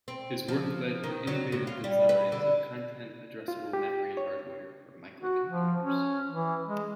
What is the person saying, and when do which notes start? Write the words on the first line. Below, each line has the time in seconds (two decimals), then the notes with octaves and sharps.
His work led to innovative designs of content-addressable memory hardware for microcomputers.
0.08 C4
0.48 F3
1.04 D#3
1.27 F#3
1.52 A2
1.67 F4
1.84 G3
2.09 B4
2.32 D3
3.48 F4
3.73 G4
4.17 C#5
5.21 F#4
5.47 F3
5.83 C#4
6.31 E3
6.67 G#3